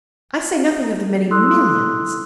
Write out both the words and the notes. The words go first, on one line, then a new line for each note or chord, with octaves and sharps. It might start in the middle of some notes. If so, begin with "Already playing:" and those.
I say nothing of the many millions...
E4 A4 C6 D#6 E6 F#6